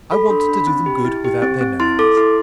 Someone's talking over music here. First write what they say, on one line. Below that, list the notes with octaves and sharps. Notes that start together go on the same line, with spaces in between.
I want to do them good without their knowing it.
A4 B5
C6
D4
B5
D4
B5
C4 B5
G4
E4
G4
C4
C4
E4 C6
A4 D6
E4 C6